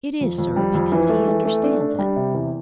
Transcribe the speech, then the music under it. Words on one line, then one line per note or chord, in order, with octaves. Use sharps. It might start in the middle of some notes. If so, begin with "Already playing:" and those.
"It is, sir, because he understands it."
F2
F2
G3
F2
E3
A3
E3
A3
D4
D4
G3
C3
E2